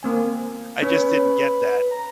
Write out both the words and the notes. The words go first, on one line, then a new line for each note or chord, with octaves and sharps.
I just didn't get that,
A#3 C4 G#5
C#4 B4
A#5